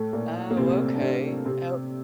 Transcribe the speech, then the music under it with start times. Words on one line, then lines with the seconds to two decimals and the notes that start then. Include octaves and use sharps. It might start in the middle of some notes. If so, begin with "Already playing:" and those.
Oh, okay. Oh,
Already playing: A2 A3
0.13 A#2 A#3
0.51 A#3
0.57 C3 C4
0.94 D4
1.01 C3 C4
1.45 C3 C4